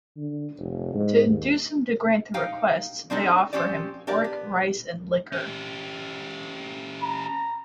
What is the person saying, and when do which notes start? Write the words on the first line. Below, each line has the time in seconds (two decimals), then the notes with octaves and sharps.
To induce him to grant their requests, they offer him pork, rice, and liquor.
0.17 D3
0.59 F1
0.95 G#2
1.28 D#2
2.34 D#4 F5 G5
3.10 C4 D4 D#4 A4
3.53 F3 G3 C4 C#4 G4 D5
4.07 D4 G4 A#4 D5
4.24 B3
5.33 C#4 G4
7.02 A#5